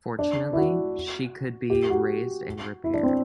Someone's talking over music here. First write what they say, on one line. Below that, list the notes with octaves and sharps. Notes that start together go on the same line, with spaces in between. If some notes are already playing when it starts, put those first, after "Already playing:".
Fortunately, she could be raised and repaired.
D4
E4
F#4
G4
F#4
E4
D4
C4